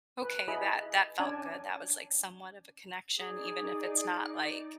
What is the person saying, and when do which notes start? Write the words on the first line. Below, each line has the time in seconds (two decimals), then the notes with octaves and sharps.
"Okay. That that felt good." That was, like, somewhat of a connection even if it's not, like,
0.22 B4
0.48 E4 G#4 D#5 B5
1.19 C#4 D4 D5 G#5 A5
3.19 D#4 G#4 D5